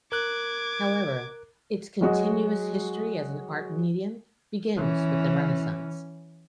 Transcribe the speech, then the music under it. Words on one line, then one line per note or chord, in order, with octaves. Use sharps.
However, its "continuous" history as an art medium begins with the Renaissance.
A#4 D6 F#6 G#6
F#3 G#3 F#4 D#5
E3 C#4